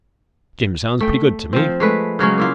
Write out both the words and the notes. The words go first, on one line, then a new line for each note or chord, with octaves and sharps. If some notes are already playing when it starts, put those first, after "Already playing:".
Jim sounds pretty good to me.
A3 G5
F3 C4
G#3 A3 B4
C#3 F#3 G#3 C#4
A#3 E4 F4